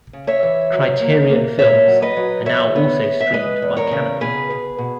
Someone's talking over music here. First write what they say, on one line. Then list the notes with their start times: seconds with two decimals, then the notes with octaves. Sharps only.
Criterion films are now also streamed by Kanopy.
0.13 C#3
0.27 C#5 E5
0.43 E3
0.72 F#3
1.01 A#3
1.30 A#3
1.59 A#2 C#5 E5
1.87 F#3
2.02 B4 D#5
2.17 F#3
2.46 E3 C#5 E5
2.76 B3
3.04 B3
3.21 E5
3.33 G#3 B4 D#5
3.62 E2
3.77 A#4 C#5
3.91 C#3
4.20 B2 G#4 B4
4.50 B2
4.78 B2